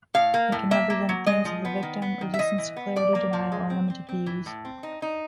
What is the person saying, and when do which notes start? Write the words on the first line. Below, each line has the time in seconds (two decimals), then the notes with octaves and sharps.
It can represent themes of the victim, resistance to clarity, denial, or limited views.
0.14 A2 F5
0.34 A#3
0.52 A2
0.71 A#3 E5
0.90 A#3
1.09 F#3
1.26 G#3 D#5
1.45 F3
1.65 B3
1.83 D#3
2.02 B3
2.21 D#3
2.34 E5
2.39 E3 D#5
2.58 E3
2.76 B3
2.96 F3 D5
3.15 A#3
3.33 F3
3.52 G#3
3.70 C4
3.90 C4
4.09 C4
4.26 E3
4.46 A2
4.65 C4
4.83 D#4
5.02 D#4